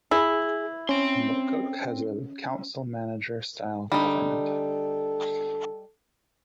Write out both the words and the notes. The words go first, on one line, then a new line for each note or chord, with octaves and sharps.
McCook has a council-manager style government.
E4 G#4
C4 C#4 C6
D3 G3 D#4 A4